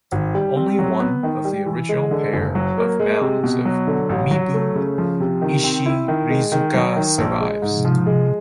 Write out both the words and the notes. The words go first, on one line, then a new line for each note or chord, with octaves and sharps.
Only one of the original pair of mounds of Mibu Ichirizuka survives.
G#1
G3
C4
F#3
B3
D#3
G3
E3
G#3
D3
F#1
F#3
A#3
G#3
C3
B2
F#3
D3
A1
F#3
A3
C#3
F3
C3
D#3
C4
E4
D#3
G#3
D#3
F#3
D#3
A#1
G#3
G#2
F3
G#3